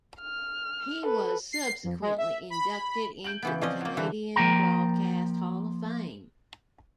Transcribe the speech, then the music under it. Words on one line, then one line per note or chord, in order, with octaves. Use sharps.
He was subsequently inducted into the Canadian Broadcast Hall of Fame.
F6
A4 B4
C7
F2
G#3
E5
B5
G6 D7 F#7
C#3 E3 B3
F3 C4 C#4 D5 D#5
F#3 A#3
D3 E3
F3 A#3 G5 A#5